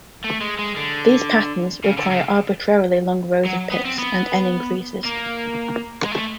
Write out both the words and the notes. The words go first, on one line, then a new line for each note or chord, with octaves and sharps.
These patterns require arbitrarily long rows of pits and "n" increases.
A3
G#3
G#3
D3
C#3
D3
C#3
F#3
B3
C4
B3
A#3
G#3
A3